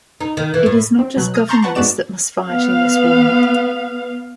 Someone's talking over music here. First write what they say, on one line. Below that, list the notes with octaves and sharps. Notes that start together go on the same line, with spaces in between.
It is not just governments that must fight in this war.
D#4
D#3
E3
A2
C4
B2 F#3 F#6
D#6 F6
A5 A#5 C6 C#6 G6 A6
B4 F#5 A5 C#6
G#2 B3 F#4 D5 E7
B3 F5